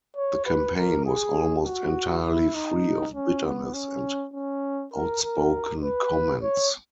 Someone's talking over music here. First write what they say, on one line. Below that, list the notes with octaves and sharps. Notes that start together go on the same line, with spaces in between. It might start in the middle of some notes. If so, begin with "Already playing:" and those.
The campaign was almost entirely free of bitterness and outspoken comments.
C#5
B4
A#4
G#4
F#4
E4
D#4
C#4
B3
C#4
C#4
A#4
A#4
B4
C#5